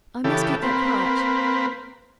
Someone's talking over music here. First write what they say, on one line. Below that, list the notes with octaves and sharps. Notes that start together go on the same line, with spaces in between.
I must keep that quiet.
C#3 E3 G4 A4
A#3 C4 B4